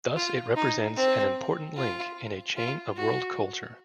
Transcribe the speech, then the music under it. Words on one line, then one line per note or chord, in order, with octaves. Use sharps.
Thus, it represents an important link in a chain of world culture.
F4
D#4
C4
F4
F4
F#4